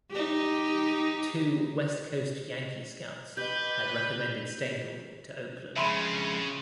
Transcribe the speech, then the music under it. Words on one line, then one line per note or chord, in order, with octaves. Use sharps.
Two West Coast Yankee scouts had recommended Stengel to Oakland.
D#4 G4
G4 B4 D#5 G6
F2 C#3 G#3 E5 B5 C6